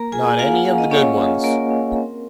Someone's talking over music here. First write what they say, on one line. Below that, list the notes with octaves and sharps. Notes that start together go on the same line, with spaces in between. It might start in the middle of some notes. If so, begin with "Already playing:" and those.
Not any of the good ones.
Already playing: A#3 A#4 A#5
F4 G#4 G#5
A#3 F4 F5
F#5
C#4 F5
D#5
A#3 C#4 C#5
F4
A#3 A#4
C#4
C4